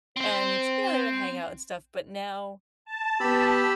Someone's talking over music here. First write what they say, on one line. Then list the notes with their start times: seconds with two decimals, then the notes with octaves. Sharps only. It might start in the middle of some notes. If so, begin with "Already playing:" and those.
and, you know, they would hang out and stuff, but, now,
0.17 C4 C5
2.85 A5
3.20 B3 G4 B5 E6